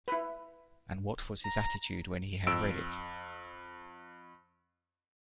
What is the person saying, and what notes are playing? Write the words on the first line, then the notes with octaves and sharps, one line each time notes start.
And what was his attitude when he had read it?
E4 B4
A#5
F2 E6 D7